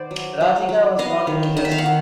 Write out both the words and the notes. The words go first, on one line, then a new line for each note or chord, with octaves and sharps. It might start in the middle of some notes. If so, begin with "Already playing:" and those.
Rah Digga was born in New Jersey.
Already playing: D#3 B3 C5 D5
F#3
F#3
F#3
B3 D#5 F5
D#3
D#3 D#5
E5
F5
F#5
D#3